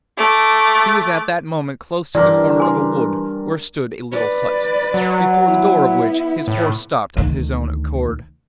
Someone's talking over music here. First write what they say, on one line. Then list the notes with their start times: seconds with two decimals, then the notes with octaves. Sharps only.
He was at that moment close to the corner of a wood where stood a little hut, before the door of which his horse stopped of his own accord.
0.18 A3 D6
2.15 G2 E3 A#4 D5 D6
2.60 G#5 C6
4.12 B4 D5
4.94 F#3
5.47 B3 E4
6.48 A2
7.17 D2 D#3